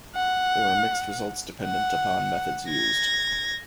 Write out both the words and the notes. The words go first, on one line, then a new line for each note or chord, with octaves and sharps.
There were mixed results dependent upon methods used.
F#5
F#5
G#6 A#6